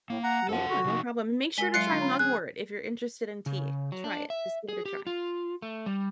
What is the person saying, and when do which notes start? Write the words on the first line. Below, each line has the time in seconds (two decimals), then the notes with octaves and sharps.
Yeah, no problem. Make sure to try mugwort if you're interested in tea, try it, just give it a try.
0.10 A2 A#3
0.24 F#5 A#5
0.49 F#2 F3 A4 F#5
0.70 F#4
0.85 C3 F3 D#4
1.58 G#3 A#4 G#5 B6 G7
1.74 F#3 G#3 F4 E5 F#6 C7 C#7
1.89 D3 D4 C#6
2.00 C#5 A#5 B5
2.19 G#4 F#6
3.46 C#3
3.92 F#3
4.04 D4
4.30 E5
4.68 G#4
4.85 G4
5.07 F4
5.62 A3
5.86 G3